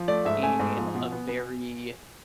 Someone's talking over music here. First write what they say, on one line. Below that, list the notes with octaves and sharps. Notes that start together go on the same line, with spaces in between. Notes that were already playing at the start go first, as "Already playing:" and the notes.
in a very
Already playing: F3
A3 D5
G#2 E5
A3 G#5
G#2
F3
B2
B3
B3